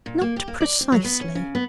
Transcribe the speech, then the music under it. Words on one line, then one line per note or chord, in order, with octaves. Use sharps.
Not precisely.
A#2
A#3
G4
A#3
D5
C4
F#3
B3
C#4
C#3
B3